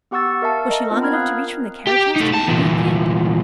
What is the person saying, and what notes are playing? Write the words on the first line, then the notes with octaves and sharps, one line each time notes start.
Was she long enough to reach from the carriage house to the Indian camp?
B3 G4 F#5 C#6 E6 A6
A#4 E5 F5 A5 C#7
A#4 D#5 A#5
B3 C4 D4 F4 A#4 C5
A#5 B5 F6 G#6
F5 D#6 F#6
G4
A3 D#4
E2 A5
E2 A#2